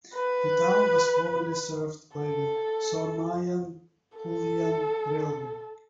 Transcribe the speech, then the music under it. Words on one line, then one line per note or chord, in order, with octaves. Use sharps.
The town was formerly served by the Somain-Halluin Railway.
B4
A4
A4